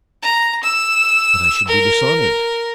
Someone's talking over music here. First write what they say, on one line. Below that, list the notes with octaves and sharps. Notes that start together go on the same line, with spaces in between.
"But I should be dishonoured."
A#5
E6
A#4